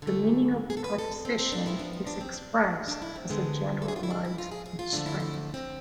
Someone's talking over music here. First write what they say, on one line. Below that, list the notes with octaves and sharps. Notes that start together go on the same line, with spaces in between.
The meaning of a proposition is expressed as a generalised constraint.
D3
A3
G#4
A4
B4
A4
D4
C4
C4
D4
C3 F3 B3 E4
D4
D4
D4
C4
D4
D4
E4
C4
D3 G#3 B3
A4
G#4
F4
E4
D4
E4
F4
G#4
G#4
F4
D3 F3 A3 D4
E4
E4
D4
C4